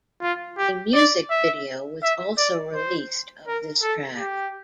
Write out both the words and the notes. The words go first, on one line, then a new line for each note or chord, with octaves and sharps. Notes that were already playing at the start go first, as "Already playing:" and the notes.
A music video was also released of this track.
F4
G4
D5
E5
E5
D5
C5
A#4
A4
G4